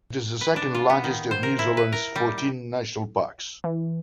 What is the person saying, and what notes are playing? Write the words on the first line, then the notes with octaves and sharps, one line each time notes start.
It is the second largest of New Zealand's fourteen national parks.
B4
D4
F4
B3
D#3
C5
A#4
E4
B4
A#4
G3
G5
E3